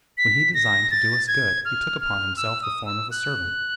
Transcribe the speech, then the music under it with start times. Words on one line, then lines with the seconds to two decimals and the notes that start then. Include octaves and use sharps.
When he designed to do us good, he took upon himself the form of a servant.
0.18 B6
0.54 A#6
0.91 A6
1.28 G#6
1.65 F6
2.01 F6
2.37 E6
2.62 D#6
2.86 E6
3.11 F#6